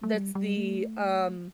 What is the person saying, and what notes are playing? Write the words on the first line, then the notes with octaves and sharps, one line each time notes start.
that's the, um,
A3
G3
G3
A3